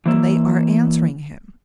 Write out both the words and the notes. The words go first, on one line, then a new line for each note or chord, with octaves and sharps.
And they are answering him!
E3 A#3 E5